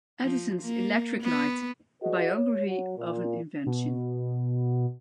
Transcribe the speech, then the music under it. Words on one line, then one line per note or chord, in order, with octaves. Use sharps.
"Edison's electric light: biography of an invention".
F3
A#3
B3
F#4 G#4 B4 D5 D#5 F#5
C#5
F#3
A#2
B2